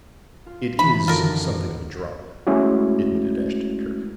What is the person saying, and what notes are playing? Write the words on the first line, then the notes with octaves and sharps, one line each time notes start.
"It is something of a drop," admitted Ashton-Kirk.
F4
E3 B3 B5
F#2 D3 D#3 F4 A#4
F#2
G#3 A3 C#4 E4 F#4